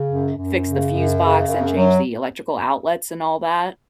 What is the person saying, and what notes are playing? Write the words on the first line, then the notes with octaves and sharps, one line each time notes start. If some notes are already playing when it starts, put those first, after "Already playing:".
fix the fuse box, and change the electrical outlets, and all that,
Already playing: C#3
F#2
F#2
C#3
F#2
C#3
F#2
F#3